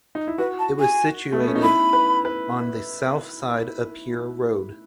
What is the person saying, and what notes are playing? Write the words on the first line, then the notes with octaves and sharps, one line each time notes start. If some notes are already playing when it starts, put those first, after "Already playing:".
It was situated on the south side of Pier Road.
D#4
E4
F#4 B4
A5
G#5
A3
B3
C#4
D#4
E4 B5
B4
B4